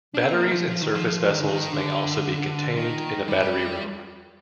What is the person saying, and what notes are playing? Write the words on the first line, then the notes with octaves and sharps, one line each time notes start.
Batteries in surface vessels may also be contained in a battery room.
D4
C4
A#3
F3
F3
D#3
F3
F3
D#3
D3
D#3
D3
D#3
G3